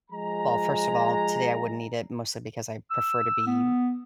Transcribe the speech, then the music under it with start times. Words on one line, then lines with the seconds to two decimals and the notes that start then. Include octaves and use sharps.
Well, first of all, today I wouldn't eat it, mostly because I prefer to be
0.11 F3 G#3 A#5
2.90 E6
3.47 B3